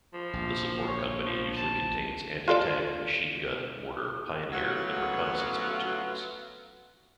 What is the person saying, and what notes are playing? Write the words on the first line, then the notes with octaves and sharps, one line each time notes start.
The support company usually contains anti-tank, machine gun, mortar, pioneer and reconnaissance platoons.
F3
A#1
C#5
F3
A5
F4 A4 D5
F#3 A3 B3 C#4 F4 F#4